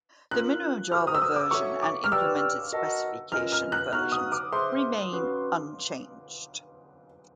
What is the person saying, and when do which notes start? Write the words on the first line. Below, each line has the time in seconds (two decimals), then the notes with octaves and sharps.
The minimum Java version and implemented specification versions remain unchanged.
0.31 C#4 F4 A#4 F#6
0.91 F#4 A4 C5 F6
1.07 D#6
1.15 E6
1.22 D#6
1.36 D6
1.51 F#4 A4 C#5 E5 C#6
1.82 D6
2.04 F6
2.11 G4 B4 D5 G5 E6
2.72 F#4 A#4 D#5 F#5 A5
3.32 C#4 F4 A#4 D#5 G#5 F6
3.52 F6
3.72 F#6
3.93 B3 D#4 F#4 F6
4.12 D#6
4.32 D6
4.52 G#4 C5 E5 C6
5.13 C#4 F#4 B4